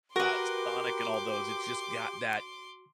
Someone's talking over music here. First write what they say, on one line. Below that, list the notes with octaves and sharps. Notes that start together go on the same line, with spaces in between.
uh, Sonic and all those, it's just got that
F#4 G4 A#4 B4 C6 D6